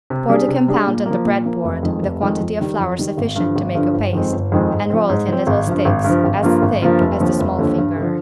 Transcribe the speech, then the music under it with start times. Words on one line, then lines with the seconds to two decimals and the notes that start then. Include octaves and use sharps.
Pour the compound on the bread board with a quantity of flour sufficient to make a paste and roll it in little sticks as thick as the small finger.
0.10 C3
0.29 G3 D4 G#4
0.48 C3
0.68 G3 D4 G#4
0.87 A#2
1.06 F3 A#3
1.25 A#2
1.45 F3 A#3
1.64 F1
1.83 F2 D#3 G#3
2.03 F1
2.21 F2 D#3 G#3
2.41 F2
2.60 D#3 G3
2.79 F2
2.99 D#3 G3
3.17 G#1
3.36 G2 D3 F3
3.56 G#1
3.75 G2 D3 F3
3.94 G1
4.13 F2 D#3 G#3 C4
4.32 G1
4.52 F2 D#3 G#3 C4
4.71 G#2
4.90 F3 C4
5.09 G#2
5.28 F3 C4
5.47 G#1
5.67 G2 F3
5.85 G#1
6.04 G2
6.09 F3
6.24 G#1
6.43 G2 F3 A#3 F4
6.62 G#1
6.82 G2 F3 A#3 F4
7.00 F1
7.20 D#2 D3 F3
7.39 F1
7.58 D#2 D3 F3
7.78 G2
7.96 D3
8.01 F3